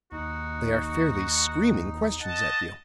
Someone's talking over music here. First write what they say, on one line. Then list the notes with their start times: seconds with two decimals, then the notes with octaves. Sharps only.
"They are fairly screaming questions at you."
0.12 D#2 D#4 F#4
2.20 D#5 F#5 A5